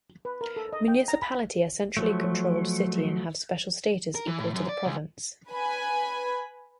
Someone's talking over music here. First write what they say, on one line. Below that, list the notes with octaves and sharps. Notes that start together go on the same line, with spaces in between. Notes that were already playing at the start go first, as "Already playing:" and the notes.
Municipality are centrally-controlled city and have special status equal to the Province.
B4
A#4
A4
D#5
G5
A#5
B5
F3 F#3 A3
A#4
E3
A2
F#2
D5
C#2
B4 G#5 B5